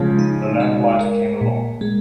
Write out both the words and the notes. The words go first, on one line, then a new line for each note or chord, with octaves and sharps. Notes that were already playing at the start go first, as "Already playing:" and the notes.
The lamplighter came along.
Already playing: C#3 F3 G#3
D#4
G#3
A#4
A#2
G#3